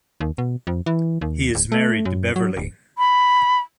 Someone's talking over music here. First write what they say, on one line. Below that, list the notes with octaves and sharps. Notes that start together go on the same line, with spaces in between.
He is married to Beverly.
D#2
B2
F2
E3
D#2
D1
A3
F#2
F#3
D1
B5